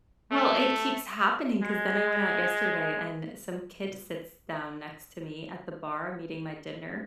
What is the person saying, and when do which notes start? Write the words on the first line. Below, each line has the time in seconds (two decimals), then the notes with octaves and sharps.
well, it keeps happening 'cause then I went out yesterday, and some kid sits down next to me at the bar, I'm eating my dinner,
0.31 A3
1.63 G#3